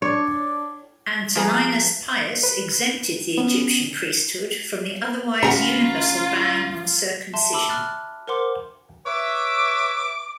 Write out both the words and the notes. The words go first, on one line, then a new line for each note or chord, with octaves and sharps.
Antoninus Pius exempted the Egyptian priesthood from the otherwise universal ban on circumcision.
D4 C#5 D5
F3 G#4 B4 A#5
B4
B3 C#4
D2 C#4 F4 F#4 G#4 A#5 B5
E5 A5 C6
A5 B5 D6 E6
F6 F#6 A6
A#4 C5 F#5 C6 D6
B4 C#5 E5 D6